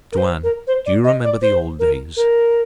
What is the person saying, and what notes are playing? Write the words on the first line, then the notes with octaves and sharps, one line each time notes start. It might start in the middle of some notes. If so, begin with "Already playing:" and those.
Tuan, do you remember the old days?
A#4
C5
A#4
C5
D5
D#5
D5
C5
A#4
A#4